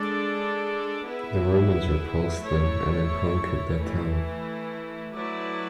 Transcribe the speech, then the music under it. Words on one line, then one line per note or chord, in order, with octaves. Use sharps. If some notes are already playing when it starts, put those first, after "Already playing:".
The Romans repulsed them and then conquered their town.
Already playing: G#3 D4 A4 D5
B3 E4 G#4 B4 E5
A3 E4 A4 C#5
E3 A3 E4
F#3 A3 E4 B4 D5